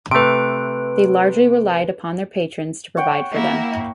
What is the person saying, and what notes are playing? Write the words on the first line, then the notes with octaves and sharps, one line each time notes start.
They largely relied upon their patrons to provide for them.
C3 A3 B4 D7
C#5 F#5 G5
A#3 E4